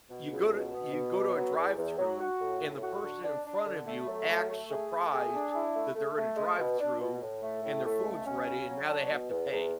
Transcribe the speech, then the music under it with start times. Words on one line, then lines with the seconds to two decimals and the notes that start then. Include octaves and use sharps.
you go to you go to a drive-thru and the person in front of you acts surprised that they're at a drive-thru and their food's ready and now they have to pay.
0.10 B2
0.31 C#2
0.52 B2
0.73 B3
0.93 B2
1.15 B3
1.35 F#3
1.57 E2
1.77 E2
1.98 F#3
2.19 F#4
2.40 A2
2.61 A2
2.82 F#4
3.03 D3
3.24 D4
3.45 D4
3.66 D3
3.86 A3
4.07 F#3
4.28 A3
4.49 A3
4.70 G#4
4.91 A3
5.12 G#4
5.33 D4
5.54 E4
5.75 A3
5.95 A3
6.17 A3
6.37 G#3
6.58 B2
6.79 D4
7.00 B2
7.21 A2
7.42 A3
7.63 A2
7.84 A3
8.05 C#2
8.25 C#4
8.47 C#3
8.68 F#3
8.88 D4
9.09 B2
9.30 E2
9.50 E2